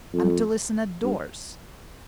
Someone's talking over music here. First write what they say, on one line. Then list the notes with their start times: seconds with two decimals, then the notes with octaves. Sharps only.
"And to listen at doors!"
0.13 F2
1.03 G2